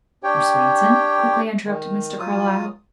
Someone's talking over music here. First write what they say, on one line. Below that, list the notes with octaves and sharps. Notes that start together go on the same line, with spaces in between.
"From Swainson?" quickly interrupted Mr. Carlyle.
D4 G4 C#5 G5
D#3
F#3 F4 D#6